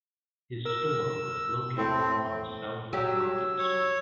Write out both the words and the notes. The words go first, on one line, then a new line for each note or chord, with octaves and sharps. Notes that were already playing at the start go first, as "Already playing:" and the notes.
His store was located on South Market Street.
A#4 E6
A2 A3 C4 E4
F#3 G4 E6
C#5